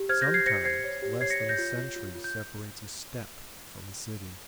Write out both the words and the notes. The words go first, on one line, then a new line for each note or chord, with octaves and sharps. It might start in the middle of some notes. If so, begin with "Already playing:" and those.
Sometimes less than a century separates a steppe from a city.
Already playing: G4
C5 F6 G#6
G6 A#6
G4
G#6 C7
C5 A#6 C#7
C5 G#6 C7
C#5
G4
C#5 G#6 C7
A#6 C#7
C#5
G6 A#6
F4
F4
F4
F4
G6